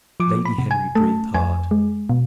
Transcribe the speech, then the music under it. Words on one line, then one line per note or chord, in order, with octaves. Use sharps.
Lady Henry breathed hard.
F3 D6
B5
C3
G#5
A3 A5
F2 G#5
G#3
B2